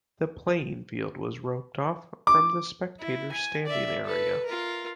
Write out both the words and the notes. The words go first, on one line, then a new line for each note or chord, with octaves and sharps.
The playing field was roped off from the spectators' standing area.
D6
E4
G#5
D5 E5
A4 B4
F4 A#4